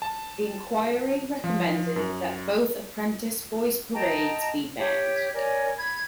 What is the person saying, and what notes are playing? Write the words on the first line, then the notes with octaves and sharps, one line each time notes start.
The inquiry recommended that both Apprentice Boys parades be banned.
A5
F3
F#2
D#5 G5 A5 A#5
G4 C#5
A#4 C#5 D5 G#5
B5 G#6